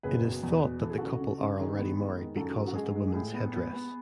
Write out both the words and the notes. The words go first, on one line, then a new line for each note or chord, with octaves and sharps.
It is thought that the couple are already married because of the woman's headdress.
F#1 G#4 B4
B2
E2
B2
E3 A4
G#4
C#2 F#4 A4
C#3
C#3
D#3 G#4
B3
G#3
D#3
F#2 F#4 A4
F#2
F#4
G#3 G#4
G#3
A2 G#4
B3
B3
B3